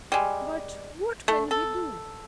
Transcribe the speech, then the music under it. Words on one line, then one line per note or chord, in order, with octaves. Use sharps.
But what can we do?
G3 G#3
A3
A4